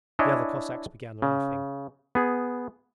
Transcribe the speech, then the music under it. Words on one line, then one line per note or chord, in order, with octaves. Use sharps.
The other Cossacks began laughing.
D4 E4 C#5 D#5 G#5
C#3
B3 G#4